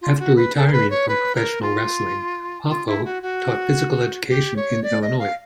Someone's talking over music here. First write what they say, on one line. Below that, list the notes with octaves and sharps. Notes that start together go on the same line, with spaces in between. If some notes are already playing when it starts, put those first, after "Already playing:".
After retiring from professional wrestling, Poffo taught physical education in Illinois.
F4
F#4
B4
A4
A#4
B4
C#5
B4
A#4
F4
F4
E4
F#4
F#4
G4
C#5
D5
D#5
F5